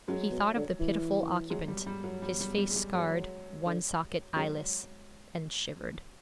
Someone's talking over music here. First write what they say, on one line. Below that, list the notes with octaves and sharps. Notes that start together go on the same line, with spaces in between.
He thought of the pitiful occupant--his face scarred, one socket eyeless--and shivered.
F#2 F#3 G#3
B2
D3
E3
F#3 G#3
G3
G3
F#3
G3
G3
G3
G#3
G3
F#3 G#3
D3
C#3 F#3 G#3